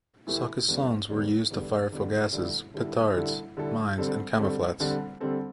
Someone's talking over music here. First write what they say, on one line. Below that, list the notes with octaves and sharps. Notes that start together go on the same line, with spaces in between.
Saucissons were used to fire fougasses, petards, mines and camouflets.
A2 E3 A3 E4 G4
E2 D3 G3
E2 D3 G3
E2 D3 G3
E2 D3 G3
D3 G3 E4 A4
D3 G3 E4 A4
D3 G3 E4 A4
D3 G3 E4 A4
D3 G3 C4 A4
D3 G3 C4 A4
D3 G3 C4 A4
D3 G3 C4 A4